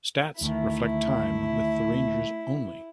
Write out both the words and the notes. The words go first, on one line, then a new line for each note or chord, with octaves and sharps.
Stats reflect time with the Rangers only.
D2 D#3 A3 E4